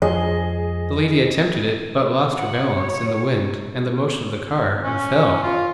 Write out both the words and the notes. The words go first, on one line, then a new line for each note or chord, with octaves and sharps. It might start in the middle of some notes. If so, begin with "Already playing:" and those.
The lady attempted it, but lost her balance, in the wind and the motion of the car, and fell!
F2 F3 G#4 D#5
F#5
C#5
C#4
F4